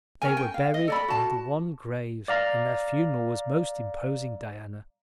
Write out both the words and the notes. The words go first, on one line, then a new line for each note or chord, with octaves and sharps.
They were buried in the one grave and their funeral was most imposing, Diana.
C#4 A#4 G#5
G5
F5
D#5
A4 D5 B5
F#4 A5
D5 F5 A#5